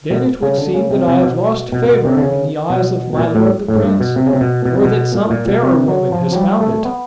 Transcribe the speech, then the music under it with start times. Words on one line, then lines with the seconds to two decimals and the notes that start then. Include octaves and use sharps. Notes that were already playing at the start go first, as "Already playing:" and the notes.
"Then it would seem that I have lost favour in the eyes of my lord the prince, or that some fairer woman has found it."
0.10 B2
0.42 C#3
0.58 D3
0.74 C#3
0.91 C3
1.08 C3
1.24 B2
1.72 B2
1.89 B2
2.05 C3
2.17 D3
2.22 C#3
2.70 B2
3.13 B2
3.18 A#2
3.35 A2
3.68 A2
3.76 G#2
3.84 G2
4.01 B2
4.16 C3
4.26 C#3
4.33 C3
4.41 B2
4.65 B2
4.75 C3
4.85 B2
5.15 A#2
5.30 A#2
5.48 B2
5.63 C3
5.88 F#3
6.12 F3
6.32 F#3
6.36 G3
6.61 A3
6.85 B3